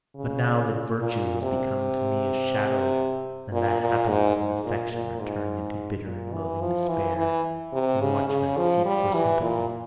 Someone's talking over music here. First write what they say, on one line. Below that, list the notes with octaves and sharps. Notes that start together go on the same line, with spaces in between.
But now that virtue has become to me a shadow, and that happiness and affection are turned into bitter and loathing despair, in what should I seek for sympathy?
C#3
A#2
C3
A#2
A#2
G#2
G#2
A#2
A#2
G#2
A#2
E3
F3
E3
E3
C3
C#3
C#3
F3
G3
E3
A#2